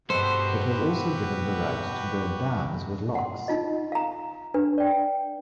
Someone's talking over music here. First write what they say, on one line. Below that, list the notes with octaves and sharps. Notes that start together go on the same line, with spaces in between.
It was also given the right to build dams with locks.
G2 B2 G#3 F#4 G4 A4 B4 C5
F#5 C6
D#4 F4 D#5
F5 A#5
D4 B4
D5 G5